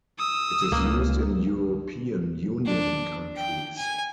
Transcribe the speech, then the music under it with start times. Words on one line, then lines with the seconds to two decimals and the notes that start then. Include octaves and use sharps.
It is used in European Union countries.
0.18 D#6 E6
0.72 C#2 A#3
2.66 D4
3.36 G5
3.77 G#5